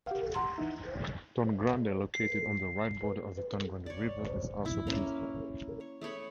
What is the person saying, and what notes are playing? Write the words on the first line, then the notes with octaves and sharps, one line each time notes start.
Tonnegrande, located on the right border of the Tonnegrande River is also peaceful.
G4 F5 F#5
F#5 A#5 C6
E3 D#4 E4
C7
C#5 D5
E4
A#3 C#4
C#5
A3 G#4 C#5 B5